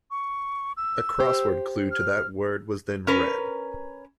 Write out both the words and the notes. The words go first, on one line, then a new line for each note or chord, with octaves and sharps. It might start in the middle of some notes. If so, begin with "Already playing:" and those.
A crossword clue to that word was then read.
C#6
E6
G4 C5
F6
C#4 A#4 B4